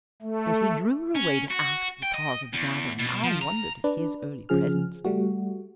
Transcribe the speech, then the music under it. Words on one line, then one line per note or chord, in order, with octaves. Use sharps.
As he drew her away to ask the cause of the gathering I wondered at his early presence.
A3
C#4
F#4
G5
D#5
E2
B2
F3
A#5
D4 B4 D5
C#3 F3 G#4 F6
G3 A3 F#4